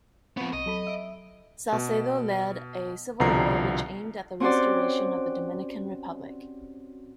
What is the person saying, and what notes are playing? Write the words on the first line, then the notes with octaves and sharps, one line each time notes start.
Salcedo led a civil war which aimed at the restoration of the Dominican Republic.
F3 B3 C4 C#6
B1 D#5
F#3 A4 B5
E5 D7
B2
C2 B2 D3 F3 A#5 C7
C4 C#4 F#4 G4 C5 D5